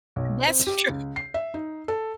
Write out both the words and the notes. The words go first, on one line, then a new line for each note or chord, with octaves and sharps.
that's true,
B1
C4
G4
C#2
C7
E5
D#4
A4